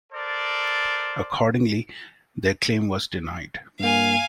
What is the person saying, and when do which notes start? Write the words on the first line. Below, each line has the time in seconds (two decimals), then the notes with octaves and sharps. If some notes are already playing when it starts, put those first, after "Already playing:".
Accordingly, their claim was denied.
0.12 A4 A#4 C5 D5
3.80 G2 A#3 F5 G#5